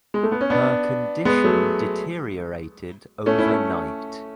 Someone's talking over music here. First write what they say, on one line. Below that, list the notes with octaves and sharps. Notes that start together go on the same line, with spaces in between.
Her condition deteriorated overnight.
G#3
A3
B3
C#4
B3 D4
G#3 B3
F#3 A3
A3 C#4
C#4 E4
A3 C#4